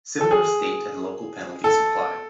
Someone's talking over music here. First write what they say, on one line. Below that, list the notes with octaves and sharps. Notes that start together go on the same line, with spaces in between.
Similar state and local penalties apply.
A4
G#4
A4